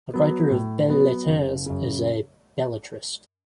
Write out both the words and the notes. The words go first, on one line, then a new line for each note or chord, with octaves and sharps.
A writer of "belles-lettres" is a belletrist.
F#3 B3
A2
F#3 B3
F#1
F#2 C#3